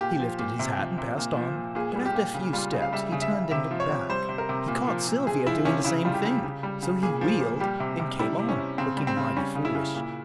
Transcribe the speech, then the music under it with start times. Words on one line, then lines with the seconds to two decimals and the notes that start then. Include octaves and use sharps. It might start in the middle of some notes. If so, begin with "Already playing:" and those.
He lifted his hat and passed on, but after a few steps he turned and looked back; he caught Sylvia doing the same thing, so he wheeled and came on, looking mighty foolish.
0.01 A#2 G4
0.20 F3
0.39 A#2
0.59 C3
0.78 F3
0.98 C3
1.18 A#2
1.37 F3
1.56 A#2
1.75 A#2 G#4
1.96 G3
2.05 G4
2.14 A#2
2.34 C#3
2.53 G3 F4
2.73 C#3
2.82 F5
2.93 G3 E5
3.12 C#3
3.22 E5
3.32 C#3
3.51 C3 E5
3.71 F3
3.80 C#5
3.91 C3
4.09 G3 C5
4.29 C3
4.38 A#4
4.49 C3
4.68 A#2
4.88 F3
5.07 A#2
5.27 C3 G#4
5.47 F3 E4
5.65 C3 C#4
5.85 C#3 E4
6.05 G3 F4
6.14 G4
6.25 C#3
6.44 C#3
6.63 G3
6.83 C#3
7.03 A#2 G#4
7.21 F3
7.41 A#2
7.60 G3 G4
7.80 C3
8.00 C3
8.19 G3 E4
8.39 C3
8.49 C#4
8.58 C3
8.78 C#3 C4
8.97 G3
9.07 C4
9.17 C#3
9.37 G3 C#4
9.55 C#3
9.65 E4
9.75 C#3
9.95 A#2